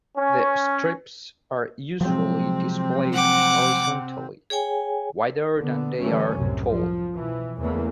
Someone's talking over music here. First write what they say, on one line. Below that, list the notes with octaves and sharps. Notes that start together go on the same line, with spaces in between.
The strips are usually displayed horizontally, wider than they are tall.
C#4
C3 F3 F#3 G#3 C4
F#5 D6
G#4 C#5 G5 G#5
D3 B3
D3 E3 G3 A3 C#4
C2 F#2 A2 C3
F3
B2 E3
E2 C#3 E3 A3 A#3